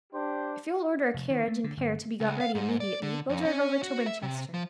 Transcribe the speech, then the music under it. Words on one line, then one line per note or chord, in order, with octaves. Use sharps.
If you'll order a carriage and pair to be got ready immediately, we'll drive over to Winchester.
D4 G4 C5
F1
D#3
A3
D3
G1
C#2
F5
G#2
D5
D3
F2
C#4
F#4
E5
C3
F3